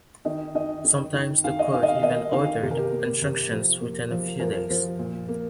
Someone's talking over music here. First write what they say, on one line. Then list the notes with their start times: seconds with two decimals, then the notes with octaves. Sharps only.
Sometimes the court even ordered injunctions within a few days.
0.25 D#3 D#5
0.55 D#3 D#5
0.84 D#3
1.14 D#3
1.44 D#3 F5
1.59 D#5
1.74 D#3 F5
1.83 D#5
1.88 F5
2.03 A#3 D#5
2.32 D#3 F5
2.62 C3 G4
2.71 A#4
2.79 G4
2.92 A#3
3.22 C3
3.51 F3
3.81 A#3
4.10 F3
4.40 F3 A#4
4.70 F3
4.99 A#2
5.28 A#3